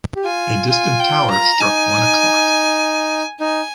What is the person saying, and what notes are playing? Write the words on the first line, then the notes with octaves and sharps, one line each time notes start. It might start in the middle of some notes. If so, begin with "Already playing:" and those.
A distant tower struck one o’clock.
G4
F4 G#5
F4 G#5
G5
A#5
D#4 G#5
D#4 G#5